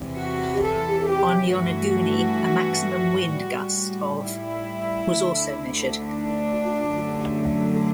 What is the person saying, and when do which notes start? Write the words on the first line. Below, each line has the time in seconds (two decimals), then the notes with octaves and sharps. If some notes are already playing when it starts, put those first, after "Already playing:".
On Yonaguni, a maximum wind gust of was also measured.
Already playing: E2 C3 E3
0.18 F#4
0.64 A4
1.08 G4
1.53 G2 E3 A3 F#4
3.33 A2 G3
4.23 E4
5.13 D2 D3 A3
6.02 D4
6.93 F#2 D3 F#3 A3